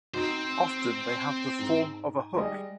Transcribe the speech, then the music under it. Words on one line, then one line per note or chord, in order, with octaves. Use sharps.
Often, they have the form of a hook.
C4 D#4 F#4 C5
G#2
G3 G#3 D#5